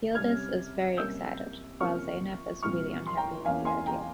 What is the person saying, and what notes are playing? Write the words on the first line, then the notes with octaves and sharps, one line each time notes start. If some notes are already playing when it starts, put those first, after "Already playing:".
Yildiz is very excited while Zeynep is really unhappy with the idea.
C3 G3 C#4 F6 G#6
C3 G3 A#3 C#4 E6 G6
C3 F3 A#3 C#4 C#6 F6
A#2 G3 C4 C#6 F6
C6
G5 A#5
E2 E3 A#3 C#4 F5 G#5
G#5 C6
G5 A#5